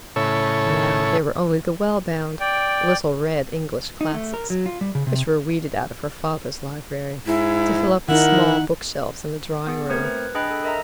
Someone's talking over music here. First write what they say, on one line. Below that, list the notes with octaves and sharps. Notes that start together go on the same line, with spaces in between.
Now there were only the well-bound little-read English Classics, which were weeded out of her father's library to fill up the small book-shelves in the drawing-room.
A2 C#3 E4 A4 C#5
D5 G5
D#4
A3
A#4
F#3
F4
G3
C#3
C3
G#2 E4
D#3 D#4 E4 A#4 F#5
B3 G#4
A3 C4 A#4 C5 G#6
B4
D4 G#4 D#5 G5 B5 F#6
A4
A#4 D#5 E5 A#5